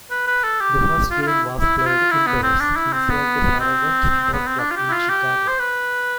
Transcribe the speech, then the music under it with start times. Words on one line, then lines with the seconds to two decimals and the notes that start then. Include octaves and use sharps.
The first game was played indoors, inside the Farragut Boat Club in Chicago.
0.11 B4
0.27 B4
0.44 A4
0.60 G4
1.10 F4
1.22 F4
1.27 E4
1.60 E4
1.77 E4
1.85 F4
2.11 E4
2.27 B3
2.43 C4
2.60 D4
2.76 E4
2.93 C4
3.10 B3
3.60 C4
4.33 B3
4.47 C4
4.59 D4
4.71 F4
4.76 G4
4.89 E4
4.92 F4
5.09 G4
5.48 C5
5.59 B4